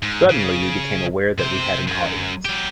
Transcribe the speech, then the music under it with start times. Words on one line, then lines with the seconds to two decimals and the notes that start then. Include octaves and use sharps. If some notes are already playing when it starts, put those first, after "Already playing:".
Suddenly we became aware that we had an audience.
0.03 G#2
0.30 C#3
1.38 C3 C5
1.87 F#2
2.45 F#3 G4